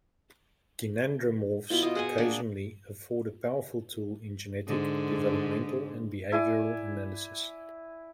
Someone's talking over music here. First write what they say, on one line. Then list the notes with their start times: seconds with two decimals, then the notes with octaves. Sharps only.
Gynandromorphs occasionally afford a powerful tool in genetic, developmental, and behavioral analyses.
1.70 B2 E4 F4
1.82 F4 D#5
1.95 G#4 F#5 G#5
2.18 A#3 D4 G#4
4.67 G#2 D3
6.32 E4 D5 G#5